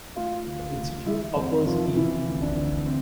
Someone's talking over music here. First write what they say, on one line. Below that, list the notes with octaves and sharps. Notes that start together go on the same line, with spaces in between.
The institute offers B.
A3 F4 F5
D2
A3
E3 E4 E5
F2 C4 C5
E3 F3 F4
C3 E3 E4
D2
D4
D2
C4